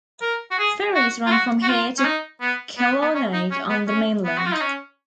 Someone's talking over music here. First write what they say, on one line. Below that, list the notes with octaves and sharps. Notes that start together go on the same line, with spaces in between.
Ferries run from here to Claonaig on the mainland.
A#4
F#4
G#4
F#4
F4
F#4
F#4
F4
C#4
D#4
B3
B3
B3
C#4
D#4
C#4
B3
C#4
B3
F#4
F4
D#4
C#4